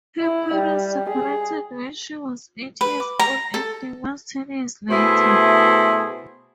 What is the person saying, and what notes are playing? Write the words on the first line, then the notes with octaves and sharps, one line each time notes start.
Her parents separated when she was eight years old and divorced ten years later.
E4
G3
G#4
B4
D6
A#5
A4
B2 A3 E4 G#4 C5